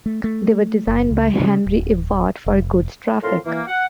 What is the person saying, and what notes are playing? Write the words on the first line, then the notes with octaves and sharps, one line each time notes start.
They were designed by Henry Ivatt for goods traffic.
A3
A3
F#1
C#2
C#3
D1
F1
F2 A2 A4 A#4 F5 C6
E3 A#3
F#5